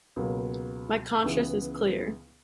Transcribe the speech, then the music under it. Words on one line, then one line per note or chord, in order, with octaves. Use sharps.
My conscious is clear.
C#2 B2 F#3 A#3
C#2 C#3 E3 B3 E4